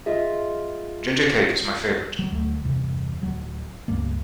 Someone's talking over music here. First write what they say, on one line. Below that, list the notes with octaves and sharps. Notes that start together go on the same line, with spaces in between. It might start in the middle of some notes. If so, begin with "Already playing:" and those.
Ginger cake is my favourite.
F4 G#4 D#5 E5
F#3
D2 F#3 A3
E2 G2 C3
D1 F#3
C#2 G2 G3 A#3